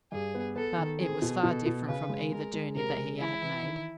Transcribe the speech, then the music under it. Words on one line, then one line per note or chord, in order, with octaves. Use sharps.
But it was far different from either journey that he had made.
G2 G#4
B3
B3 A4
D#3
C4 G#4
B2
B2 A4
B2
C#3 B4
G#3
G#3 A#4
G#3
C3 A#4
G#3
E3 E4
E3
D#3